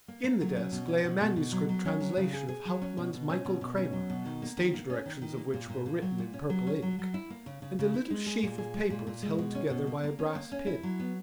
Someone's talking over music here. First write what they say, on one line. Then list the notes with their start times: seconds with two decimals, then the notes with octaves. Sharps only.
In the desk lay a manuscript translation of Hauptmann's Michael Kramer, the stage directions of which were written in purple ink, and a little sheaf of papers held together by a brass pin.
0.08 A#3
0.24 A#3
0.41 F#3
0.56 C#4
0.72 B2
0.88 C#4
1.04 B2
1.21 B2
1.37 B2
1.52 F#3
1.69 F#3
1.85 C#4
2.00 F#3
2.17 C#3
2.33 G#4
2.48 G#4
2.65 F#3
2.82 C#4
2.97 B2
3.13 B2
3.30 C#4
3.45 B2
3.61 B2
3.78 C#4
3.93 F#3
4.10 B2
4.25 D#3
4.42 A#3
4.58 D#3
4.74 A#3
4.90 C#4
5.06 D#3
5.22 D#3
5.37 A#3
5.54 A#2
5.70 A#2
5.86 A#2
6.02 F#3
6.18 A#2
6.33 C#4
6.50 F#3
6.67 C#4
6.82 F#3
6.99 F#3
7.14 E4
7.30 A#3
7.46 C#3
7.62 C#3
7.79 C#3
7.94 E4
8.10 G#3
8.26 G#4
8.43 A#2
8.58 G#4
8.74 G#3
8.90 A#2
9.07 A#2
9.23 G#3
9.38 B2
9.55 C#4
9.70 B2
9.87 A#3
10.04 A#3
10.19 C#4
10.35 A#3
10.52 C#4
10.67 E4
10.83 F#3
11.00 B3